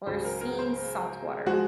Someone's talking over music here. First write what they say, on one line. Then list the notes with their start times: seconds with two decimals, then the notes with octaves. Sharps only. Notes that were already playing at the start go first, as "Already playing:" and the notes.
or seen saltwater.
0.06 C#2 C#3 F#3 C5
0.25 A#4
0.41 A#4
0.59 C5
1.46 F3 G#3 F#4